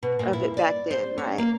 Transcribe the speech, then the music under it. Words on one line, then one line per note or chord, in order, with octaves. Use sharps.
Of it back then, right.
B2
A#2
E4
D5
C5
C#4
A#3